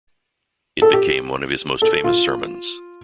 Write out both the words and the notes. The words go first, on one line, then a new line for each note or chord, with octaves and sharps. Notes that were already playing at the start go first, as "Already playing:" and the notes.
It became one of his most famous sermons.
A4
G4
A4
F4